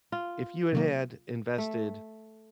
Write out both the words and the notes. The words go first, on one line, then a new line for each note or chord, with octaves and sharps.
if you had had invested
F4
C3 F#3 A#3
A3